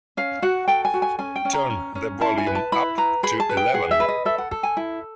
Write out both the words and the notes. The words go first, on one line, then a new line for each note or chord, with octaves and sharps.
Turn the volume up to eleven.
C#4 F5
F#4 F#5
A4 G5
G#5
F#4
G#5
C#4 G#5
G5
C#4
A#5
C#4
C#4
E4 A5
G#5
B4
A5
E4 B5
B4 A#5
G#4 B5
A5
B4
G5
G#4 F#5
E5
B4
D#5
A4 E5
F#5
A4
G#5
E4